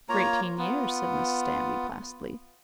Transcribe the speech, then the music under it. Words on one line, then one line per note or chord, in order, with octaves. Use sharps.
"For eighteen years," said Mrs. Danby placidly.
A#3 F4 C#5 A#5
B3 F4